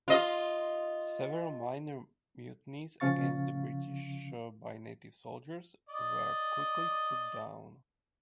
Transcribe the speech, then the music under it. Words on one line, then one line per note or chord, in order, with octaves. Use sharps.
Several minor mutinies against the British by native soldiers were quickly put down.
F4 D#5
C#3 F3 C#4 F5 C#6 A6
D5 D#5